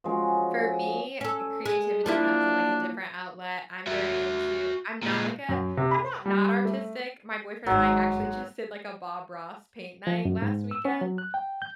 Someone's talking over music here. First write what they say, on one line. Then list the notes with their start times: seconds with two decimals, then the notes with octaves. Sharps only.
for me, creativity comes in, like, a different outlet, I'm very into I'm not like a I'm not not artistic. My boyfriend and I actually just did, like, a Bob Ross paint night last weekend,
0.04 F3 G#3 C#4 F#4
1.21 C#4 A4
1.66 G#3
2.06 F3 A#3 D4 E4
3.87 F#4 E5
5.03 A#2 G#3
5.49 F#2
5.77 C3
5.91 B5
6.26 G3
6.65 A3
7.66 G#1 G#2 F#3
10.07 F3
10.25 F#2
10.42 G#2
10.71 E6
10.85 C#4
11.01 F#3
11.18 F#6
11.34 G5
11.62 G6